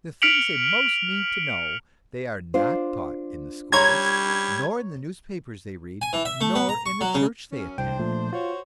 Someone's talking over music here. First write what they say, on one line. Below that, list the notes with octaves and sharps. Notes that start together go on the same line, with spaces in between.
The things they most need to know they are not taught in the schools, nor in the newspapers they read, nor in the church they attend.
F6 B6 C#7 D7 F7 F#7
D4 F4 C5
G3 C#5 A#5 C6 G#6
G#5
E3
E5
A3
B3
A#5
C#6
F#3
C#3
F#2 C#4
C2 D4 C5 G5
A#2 F3 A3
F4 F#4 C5 C#5